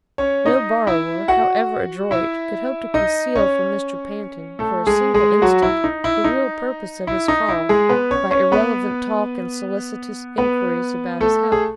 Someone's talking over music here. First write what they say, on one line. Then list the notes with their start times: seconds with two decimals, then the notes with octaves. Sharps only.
No borrower, however adroit, could hope to conceal from Mr. Pantin for a single instant the real purpose of his call by irrelevant talk and solicitous inquiries about his health.
0.18 C#4 C#5
0.46 D#4 D#5
0.87 E4 E5
1.28 F#4 F#5
2.11 E4 E5
2.94 D#4 D#5
3.35 C#4 C#5
4.59 A3 A4
4.87 G#3 G#4
5.14 G#3 G#4
5.42 F#3 F#4
5.62 E4
5.84 D#4
6.04 E4
6.24 D#4
7.07 E4
7.28 D#4
7.49 E4
7.69 G#3 G#4
7.89 B3 B4
8.11 C#4 C#5
8.31 C#4 C#5
8.52 B3 B4
10.38 B3 B4
11.21 A3 A4
11.52 G#4